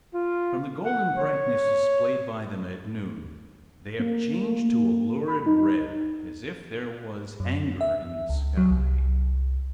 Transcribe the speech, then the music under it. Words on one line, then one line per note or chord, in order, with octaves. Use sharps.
From the golden brightness, displayed by them at noon, they have changed to a lurid red--as if there was anger in the sky!
F4
F#5
C#5
A#3
B5
D#4
F#2
E5
C#2
F#3
C2